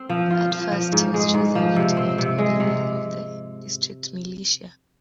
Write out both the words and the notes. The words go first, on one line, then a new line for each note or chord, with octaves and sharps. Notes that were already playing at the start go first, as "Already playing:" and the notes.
At first he was chosen lieutenant colonel of the district militia.
Already playing: C4
F3
F4
F3
F3
G#2
G#3
G#2
F3
C3
C4
C3
G#3
C3